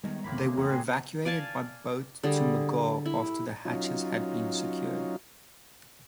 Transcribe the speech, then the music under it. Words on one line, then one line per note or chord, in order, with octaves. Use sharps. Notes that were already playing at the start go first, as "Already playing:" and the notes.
They were evacuated by boat to "McGaw" after the hatches had been secured.
D#3 G3 G#3 B3 C#5 A#5
G#1 E2 A2 A#3 B5 C6
C#3
E2 G#3 G4 F#5
A2 F#4 G#4 A4
D5 F5 G#5 A5
D3 G3 G#4
E4
F#3 C#4 D#4 F4